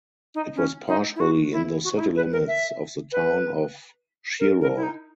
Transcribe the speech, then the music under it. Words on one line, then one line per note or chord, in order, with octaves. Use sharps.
It was partially in the city limits of the town of Cheraw.
D#4
C#4
D#4
E4
F#4
E4
F#4
D#4
E4
B4
A#4
E5
B4
A#4
A#4
E4
D#4